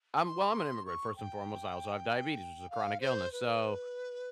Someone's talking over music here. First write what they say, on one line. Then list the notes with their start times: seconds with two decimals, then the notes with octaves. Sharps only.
I'm well, I'm an immigrant first and foremost, I also have diabetes, which is a chronic illness, so
0.24 C6
0.86 C#6
1.16 G5
2.70 F5
3.00 C5
3.32 B4